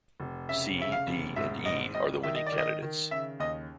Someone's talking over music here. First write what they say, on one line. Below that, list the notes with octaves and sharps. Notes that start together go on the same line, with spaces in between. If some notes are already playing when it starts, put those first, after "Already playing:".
C, D and E are the winning candidates.
F1
C#3 E5
C#3 E5
F5
F1
G#2 E5
G#1 D#5
G3 D#5
D#3 E5
D#5
D5
D#3
D#5
D#3
C#3 E5
D#2 D#5